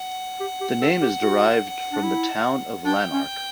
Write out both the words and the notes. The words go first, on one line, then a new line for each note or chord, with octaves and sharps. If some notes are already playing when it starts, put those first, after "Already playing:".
The name is derived from the town of Lanark.
Already playing: F#5
G4
G4
A4
G4
F#4
D4
E4
D4 G5
C#4